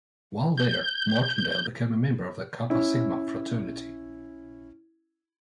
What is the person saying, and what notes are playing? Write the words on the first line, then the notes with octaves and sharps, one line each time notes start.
While there, Martindale became a member of the Kappa Sigma Fraternity.
G6
C#4 E4